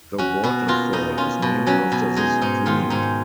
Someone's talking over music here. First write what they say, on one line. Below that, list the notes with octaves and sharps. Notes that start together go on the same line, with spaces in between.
The waterfall is named after the stream.
C#4 F#4
B2 F#4
A#3 F4
B2 D#4
C#4 F4
B2
F#3 C#4
B2
G#3 D#4
G#2 D#4
D#3 F4
G#2 D#4